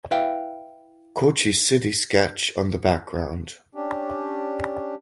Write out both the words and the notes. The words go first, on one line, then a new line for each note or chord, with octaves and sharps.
Kochi city sketch on the background.
E4 B4 E5 F5 G5
C#4 D4 G4